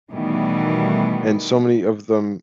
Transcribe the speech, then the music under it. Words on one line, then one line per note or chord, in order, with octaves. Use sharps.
and so many of them
B2 D#3 E3 G3 A3 B3